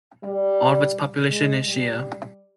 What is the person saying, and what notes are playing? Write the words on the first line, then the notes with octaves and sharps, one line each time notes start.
All of the its population is Shia.
G3
G#3
G3